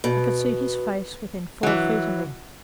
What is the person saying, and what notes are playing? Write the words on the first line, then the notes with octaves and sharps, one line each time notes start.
I could see his face within four feet of me.
B2
E3 F#3